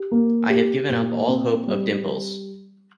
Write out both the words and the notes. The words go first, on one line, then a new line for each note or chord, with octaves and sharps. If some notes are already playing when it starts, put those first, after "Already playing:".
I have given up all hope of dimples.
Already playing: G4
A#3
G4
A#2
C4
G3